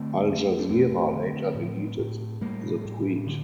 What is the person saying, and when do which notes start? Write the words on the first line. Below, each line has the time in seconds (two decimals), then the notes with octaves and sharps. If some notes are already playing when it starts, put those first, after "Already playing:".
Al Jazeera later deleted the tweet.
Already playing: D3 A3 C4
0.27 F2
0.59 D4
0.69 F2 A3 C4
1.13 D3
1.55 A2
1.99 A2
2.41 A2 G3 A#3
2.85 A2
3.27 D3